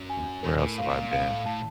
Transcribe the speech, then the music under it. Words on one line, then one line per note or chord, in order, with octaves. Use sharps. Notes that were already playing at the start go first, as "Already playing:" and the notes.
like, where else have I been?
Already playing: F#2
G#5
A#2 A#4
A#2
A2
A2 F5
A#2
B2 F5
A2
A2 A5